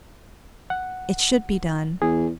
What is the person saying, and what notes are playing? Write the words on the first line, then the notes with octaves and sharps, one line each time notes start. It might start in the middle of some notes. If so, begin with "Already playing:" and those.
It should be done!
F#5
E2 G#4